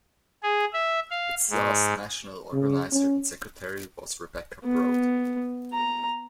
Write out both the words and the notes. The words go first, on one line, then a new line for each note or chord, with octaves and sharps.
Its last national organiser and secretary was Rebecca Broad.
G#4
E5
F5
G#2
C#3
C#4
B3
A#5